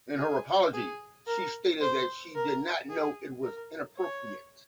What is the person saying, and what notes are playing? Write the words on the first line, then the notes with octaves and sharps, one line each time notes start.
In her apology she stated that she did not know it was inappropriate.
G#4
G#4
A#4
C5
A#4
G#4
A#4
C#5